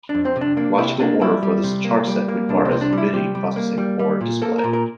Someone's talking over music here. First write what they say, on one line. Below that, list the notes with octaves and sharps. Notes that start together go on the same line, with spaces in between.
Logical order for this charset requires bidi processing for display.
D4
F2
C4
C3
D4
A#3 D4
C3 E4
A#3 D4
G3 E4
G3
C3
A#3
G3
A#3
C2 D4
C4
C3
D4
G3
E4
C3 G4
G3
A#3
G3
G3
A#2
A#3 A4
A#4
A#2
A#4